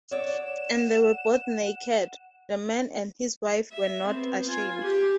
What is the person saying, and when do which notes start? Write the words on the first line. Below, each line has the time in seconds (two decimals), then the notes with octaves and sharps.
And they were both naked, the man and his wife, and were not ashamed.
0.11 C#5 D5 F#5 E7
3.72 E5
4.08 B3 C4
4.45 F4 G#5
4.82 G4